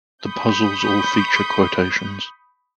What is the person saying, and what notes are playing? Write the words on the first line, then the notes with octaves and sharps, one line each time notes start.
The puzzles all feature quotations.
B5 C#6 D#6 G6